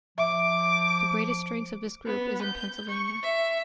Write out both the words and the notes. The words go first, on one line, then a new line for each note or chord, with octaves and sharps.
The greatest strength of this group is in Pennsylvania.
F3 E5 D6
B3
G6
C#6
E5